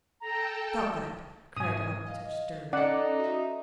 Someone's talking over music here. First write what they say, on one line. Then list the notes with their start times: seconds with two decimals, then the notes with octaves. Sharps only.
"Stop that!" cried Alpatych sternly.
0.21 A4 G5 A5 A#5
1.57 G#2 C3 G#5 D#6
2.07 D#5 F5
2.73 C#4 D#4 A4 D5 F#5
3.20 F#4 E5